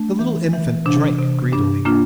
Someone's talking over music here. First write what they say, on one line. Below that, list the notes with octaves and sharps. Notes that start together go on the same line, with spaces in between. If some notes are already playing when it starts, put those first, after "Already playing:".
The little infant drank greedily.
Already playing: A3 D4
E3
E3
C3 D4
C3
G2 D4
A#3 D4 F4